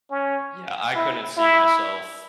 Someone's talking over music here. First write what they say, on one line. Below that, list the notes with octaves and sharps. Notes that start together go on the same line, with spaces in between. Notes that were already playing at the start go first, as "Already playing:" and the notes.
Yeah, I couldn't see myself
C#4
E4
E4